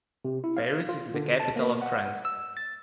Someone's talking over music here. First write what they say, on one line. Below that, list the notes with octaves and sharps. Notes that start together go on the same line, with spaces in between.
Paris is the capital of France.
C3
E4
F5
F4
D3
A5
A#3
F#5
E6
A6